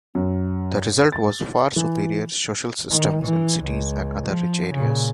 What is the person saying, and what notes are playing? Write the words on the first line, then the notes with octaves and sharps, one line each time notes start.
The result was far superior social systems in cities and other rich areas.
F#2
A6
E3
D#3
E3
C#2
F3
A#2 C#3